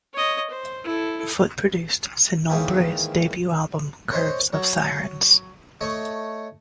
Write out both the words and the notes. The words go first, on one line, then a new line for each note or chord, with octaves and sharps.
Foot produced Sinombre's debut album Curves of Sirens.
C#5 D#5
C5
E4 A4
D#3 E3 G#3 A#3 C4 C#4
C#4 A#4 C5 D#5
F#3
A3 C#5 D#5